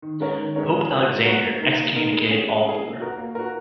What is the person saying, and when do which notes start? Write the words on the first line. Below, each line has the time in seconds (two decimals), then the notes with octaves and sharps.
Pope Alexander excommunicated all four.
0.02 D#3
0.20 G#3 C#4 A#4 C#5
0.37 D#3
0.55 G#3 C#4 A#4 C#5
0.72 G#3
0.90 F#4 A#4 C#5
1.08 G#3
1.25 F#4 A#4 C#5
1.42 A#3
1.60 D#4 A#4
1.78 A#3
1.95 D#4 A#4
2.12 G#3
2.30 C#4 G#4
2.48 G#3
2.65 C#4 G#4
2.83 A#3
3.00 F#4 A#4
3.17 A#3
3.35 F#4 A#4